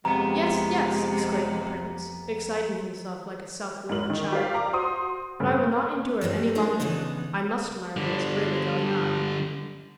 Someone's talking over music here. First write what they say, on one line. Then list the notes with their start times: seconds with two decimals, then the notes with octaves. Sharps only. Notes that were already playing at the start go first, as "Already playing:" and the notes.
"Yes, yes," exclaimed the prince, exciting himself like a self-willed child; "but I will not endure it any longer, I must learn what is really going on."
0.05 F2 C3 G#3 B3 A#5
3.89 G#2 E4 A#4 F#7
4.10 D#3
4.32 G4 A#4 C5 D5 F5
4.54 F5 A#5 D6
4.73 F#4 C5 C6 D#6
5.40 G2 C#3 A3
6.21 G2 F#3 G3 C4
6.55 G#3 A3 D4 D#4 F4 D5
6.80 C#3 E3 B3 D4 D#4
7.97 D3 G3